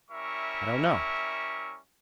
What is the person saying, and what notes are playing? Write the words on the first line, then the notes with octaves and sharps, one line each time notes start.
"I don't know."
G3 C#4 E4 A#4 E5 C#6